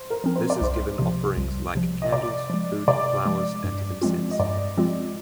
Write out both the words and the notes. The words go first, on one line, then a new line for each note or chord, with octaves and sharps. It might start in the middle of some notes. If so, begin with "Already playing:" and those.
This is given offerings like candles, food, flowers, and incense.
Already playing: C5
A#4
F3 C4
C5
D5
C2 C5
C3 F3
C2
C3 F3
D#5
C3 D5
F3 G#3
C3 D5
F3 G#3
G2
F3 G#3 C4 F4
D#5
G2 D5
F3 G#3 C4 F4